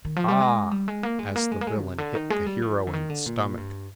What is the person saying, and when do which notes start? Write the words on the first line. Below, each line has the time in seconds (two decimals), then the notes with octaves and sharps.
"Ahhhhh," as the villain hit the hero in the stomach....
0.05 D#3
0.16 F3
0.28 G3
0.41 G#3
0.71 G3
0.88 G#3
1.03 A#3
1.19 G#3
1.36 A#3
1.52 G#3
1.61 A#3
1.67 G#3
1.83 C3
1.98 D3
2.15 D#3
2.30 G#3
2.46 G3
2.62 F3
2.87 D3
2.93 D#3
3.10 D3
3.26 A#2
3.57 G2